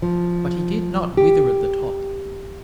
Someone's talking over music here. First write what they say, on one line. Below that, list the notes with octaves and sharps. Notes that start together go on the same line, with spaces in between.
But he did not wither at the top.
F3
G4